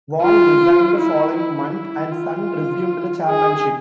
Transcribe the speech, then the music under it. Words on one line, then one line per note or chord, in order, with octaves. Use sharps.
Wang resigned the following month, and Sun resumed the chairmanship.
F4
E4
E4
E4
F4
G#4